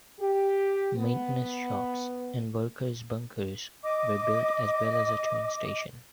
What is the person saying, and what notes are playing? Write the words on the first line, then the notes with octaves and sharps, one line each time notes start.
Maintenance shops and workers' bunkers were built as well as a train station.
G4
B3
D#5 D6